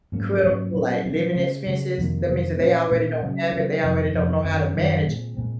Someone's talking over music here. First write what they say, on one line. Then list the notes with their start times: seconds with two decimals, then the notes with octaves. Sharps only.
critical like living expenses, that means that they already don't have it, they already don't know how to manage,
0.12 G#2 F#3 A#3 C#4
0.43 G#2 F#3 A#3 C#4
0.74 A#2 F#3 C#4
1.05 A#2 F#3 C#4
1.36 C#3 G#3 C#4
1.66 C#3 G#3 C#4
1.98 F2 C3 D#3 A#3
2.28 F2 C3 D#3 A#3
2.60 A#2 G#3 C#4
2.90 A#2 G#3 C#4
3.21 C#3 F#3 C#4
3.52 C#3 F#3 C#4
3.83 F2 C3 F3
4.13 F2 C3 F3
4.44 F#2 D#3 F#3 C4
4.75 F#2 D#3 F#3 C4
5.06 A#2 G#3 C4
5.37 A#2 G#3 C4